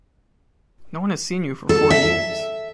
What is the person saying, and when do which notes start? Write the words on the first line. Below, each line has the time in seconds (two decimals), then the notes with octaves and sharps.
No one has seen you for four years.
1.69 A4
1.90 E5